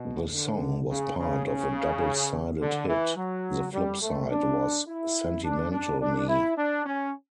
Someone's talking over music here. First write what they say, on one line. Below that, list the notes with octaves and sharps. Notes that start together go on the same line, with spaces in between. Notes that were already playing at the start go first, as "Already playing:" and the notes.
The song was part of a double-sided hit; the flip side was Sentimental Me.
Already playing: B2
D3
C#3
C#3
C#3
D3
E3
F#3
G3
A3
D4
E4
D4
D4
D4
E4
D4
C#4